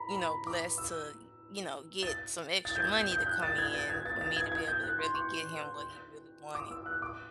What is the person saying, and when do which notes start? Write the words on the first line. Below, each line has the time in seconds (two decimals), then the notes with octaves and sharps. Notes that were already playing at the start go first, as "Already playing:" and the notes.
you know, blessed to, you know, get some extra money to come in for me to be able to really get him what he really wanted.
Already playing: A#5 B5
0.15 B5
0.47 D6
0.78 E6
2.03 A6
2.65 A6
2.76 G6
2.80 G#6
2.96 G6
3.12 G6
3.22 G6
3.27 F#6
3.43 A6
3.58 G#6
3.74 A6
3.90 G#6
4.06 A6
4.21 A6
4.36 G#6
4.52 G#6
4.68 G6
4.83 F#6
4.99 C6
5.14 C#6
6.55 D6
6.71 E6
6.86 F#6
7.02 D6